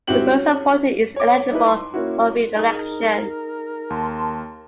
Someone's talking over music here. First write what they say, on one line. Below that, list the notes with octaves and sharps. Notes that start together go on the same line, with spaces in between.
The person appointed is eligible for re-election.
G#1 C4 E4 F#4 G4 F#7
C#4
C#5 D6
D#4 E4 B4
C6
A#3 C#4 E4 F#4
D#4 G#4 A#4
D#2 A5 C6